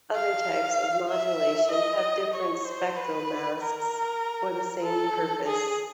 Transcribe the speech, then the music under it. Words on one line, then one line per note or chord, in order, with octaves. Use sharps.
Other types of modulation have different spectral masks for the same purpose.
F5
E5
D#5
C#5
C5
B4
A#4
A4
G#4